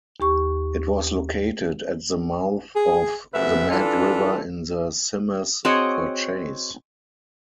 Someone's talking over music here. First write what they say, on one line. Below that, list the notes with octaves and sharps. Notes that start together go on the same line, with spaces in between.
It was located at the mouth of the Mad River in the Symmes Purchase.
D#2 G4 C#6
G#4
F#2 C3 A3 B4 E5
E3 D4 F4 A4
C4 F#4 G#4 C#5 D#5